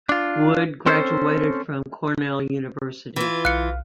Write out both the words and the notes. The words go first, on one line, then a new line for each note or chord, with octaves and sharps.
Wood graduated from Cornell University.
D4 F4
C4 C#4 A4 C5
E3 F4
B1 F5 F#6 C#7